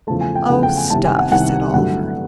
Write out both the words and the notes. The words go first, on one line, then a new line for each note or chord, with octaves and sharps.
"Oh, stuff!" said Oliver.
E2 C#3 F3 A3 A5
G#5
G5
E2 C#3 F3 A3 F#5
G5
G#5
C2 C3 D#3 A5
G#5
F#5
C2 C3 D#3 F#5
G2 D3 F#3 A3 F#5